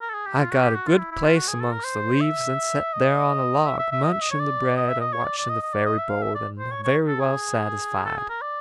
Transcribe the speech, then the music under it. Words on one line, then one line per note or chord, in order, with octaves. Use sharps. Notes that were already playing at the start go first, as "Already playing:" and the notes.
I got a good place amongst the leaves, and set there on a log, munching the bread and watching the ferry-boat, and very well satisfied.
A#4
A4
G#4
G4
F4
F#4
G4
F#4
F4
E4
E4
F4
F#4
G#4
A4
A#4
C5
E5
D#5
E5
E5
E5
D#5
E5
D#5
C#5
D5
D#5
E5
D#5
C#5
D5
D5
D#5
D#5
D5
D#5
E5
F5
E5
D5
C5
C#5
C#5
A4
G#4
A4
G#4
A#4
D5